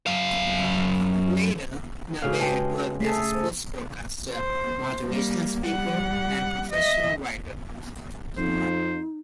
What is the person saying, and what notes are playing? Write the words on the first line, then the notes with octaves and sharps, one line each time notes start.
Later, Naber worked as a sports broadcaster, motivational speaker, and professional writer.
F#2 F5
G#2 C#3 F#4 A4 F5
G#3 F#4 G4 B4 A5
A3 G#4 A4 B6 C7
C5
C5
G3 A#3
G3 F#5
D#5 E5
F2 D#4 C5